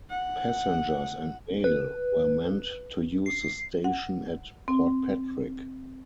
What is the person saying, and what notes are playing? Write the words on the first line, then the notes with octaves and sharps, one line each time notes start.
Passengers and mail were meant to use the station at Portpatrick.
F#5
B4
C7
F#5
C4